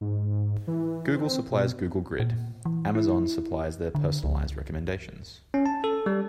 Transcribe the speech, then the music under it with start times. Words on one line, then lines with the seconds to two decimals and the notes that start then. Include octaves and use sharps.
Google supplies Google Grid, Amazon supplies their personalized recommendations.
0.01 G#2
0.67 E3
1.15 C4
1.51 B2
2.20 A#2
2.65 E3
2.95 E4
3.95 D3
4.24 C#2
5.54 C#4
5.66 A5
5.84 A4
6.06 G3